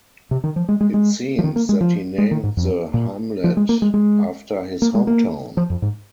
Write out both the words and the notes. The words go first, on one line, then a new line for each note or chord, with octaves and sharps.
It seems that he named the hamlet after his home town.
C3
D#3
F3
G#3
G#3
G#3
F3
D#3
A#3
G#3
F3
G#3
D#3
G#2
F2
A#2
F3
G#3
A#3
G#3
G#3
A#3
G#3
A#3
F3
F2
G#2